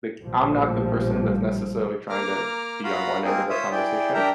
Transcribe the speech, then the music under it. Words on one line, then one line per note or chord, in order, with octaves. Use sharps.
like, I'm not the person that's necessarily trying to be on one end of a conversation,
A#1 A2 F3 G3
A#3 A#5 D6 F6
F4 F#4 F5 A#5 B5
A#3 C4 D#4 F4 G#4 A#4
F4 C5 C#5 E5 D#6
E4 G#4 D5 G5
D4 G4 A#4 E5 G5 A#5